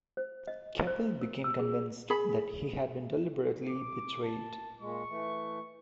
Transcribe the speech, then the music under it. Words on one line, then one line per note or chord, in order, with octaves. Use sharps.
Keppel became convinced that he had been deliberately betrayed.
C5
D#5
C5
A#4
E6
G#4
G#4 B5
D6
A5
A#2 G#3 C#6
E3 A3